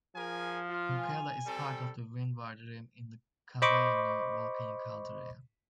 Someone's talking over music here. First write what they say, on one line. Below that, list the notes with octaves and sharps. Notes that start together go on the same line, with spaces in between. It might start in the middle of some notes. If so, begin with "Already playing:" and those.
Mokolea is part of the windward rim of the Kawainui volcanic caldera.
F3 G#4 A#4 G#5
F4
G#5
G3 C4 A4
C5 D#5 B5 C#6 D6